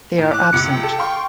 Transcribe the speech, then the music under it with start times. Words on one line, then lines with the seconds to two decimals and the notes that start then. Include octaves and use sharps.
They are absent.
0.18 A2
0.32 D6 F#6
0.53 C#2 C3 C#7
0.69 G5
0.83 A4
0.99 F5 C6 C#6